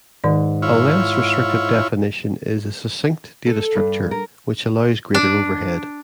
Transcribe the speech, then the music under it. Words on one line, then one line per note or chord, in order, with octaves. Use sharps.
A less restrictive definition is a succinct data structure, which allows greater overhead.
G#2 D#3 D5
E4 F4 C#5
A4
G2
A#4
D4